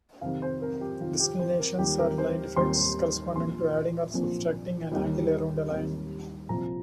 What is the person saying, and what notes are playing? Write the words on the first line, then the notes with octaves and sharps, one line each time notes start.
Disclinations are line defects corresponding to "adding" or "subtracting" an angle around a line.
F2 C3 D#3 F5
C5
A#4
G4
F2 C3 D#3 F4
G4
C5
A#4
D#2 D#3 G3 G4
A#4
C5
D#2 D#3 G3 C6
A#1 A#2 F3 C6
A#1 A#2 F3
D#2 D#3 G3
D#2 D#3 G3
C2 A#2 F3 A#5